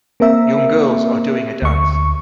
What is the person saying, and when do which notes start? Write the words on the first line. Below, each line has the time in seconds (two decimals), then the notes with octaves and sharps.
Young girls are doing a dance.
0.20 A#3 C4 A#4 E5
1.62 D2 C#6